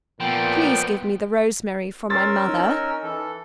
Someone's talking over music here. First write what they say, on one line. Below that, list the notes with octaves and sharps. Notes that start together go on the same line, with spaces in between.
"Please give me the rosemary for my mother."
A#2 F3 A3 B3 G5
C#4 A#4 C6 E6 A6
D#4
E3 A4